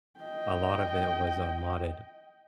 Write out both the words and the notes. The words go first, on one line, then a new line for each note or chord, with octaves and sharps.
a lot of it was a modded
D#5 G5